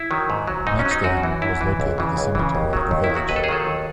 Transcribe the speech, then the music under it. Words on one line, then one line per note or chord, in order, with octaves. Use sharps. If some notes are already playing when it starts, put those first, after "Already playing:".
Next to him was located the cemetery of the village.
Already playing: E4
D#3 F#3
G#2
F#3
G#2 D#4
C#4
F#3
D#4
F#2 F#4
E3
F#2 E4
E3
C#2
C#3 E3
C#2
C#3 E3
D#2
D#3 F#3
D#2
E4
D#3
F#3 F#4
D#2 B4
A4
G#4
D#3 F#3 A4
D#2